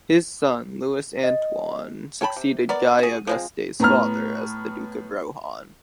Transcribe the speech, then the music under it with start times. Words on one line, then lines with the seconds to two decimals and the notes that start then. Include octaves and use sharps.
His son Louis Antoine succeeded Guy Auguste's father as the Duke of Rohan.
1.23 D#5
2.21 C#5 G5 A5 B5
2.36 C3
2.69 B3 A#4 D5
2.99 F#4 G#4
3.27 F3 G#3 C4
3.80 A2 B3 A#5 F6